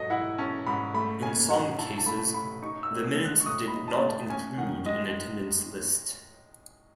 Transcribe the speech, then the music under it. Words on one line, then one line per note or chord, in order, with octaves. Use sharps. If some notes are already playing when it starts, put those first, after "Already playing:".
In some cases the minutes did not include an attendance list.
Already playing: G#2 F#3 A4 D#5
E4 F#5
C#4 A5
G#2 B5
A3 B5
C#3 G#5
F#3 F#5
E4 A5
A5
A3 B5
C#3 B5
D#4 C#6
E6
A2
E6
G#3
F#6
C#6
A2 D#6
B5
D#4
A5
A2
A5
C#4 G#5
D#3 F#5
G#3 D#5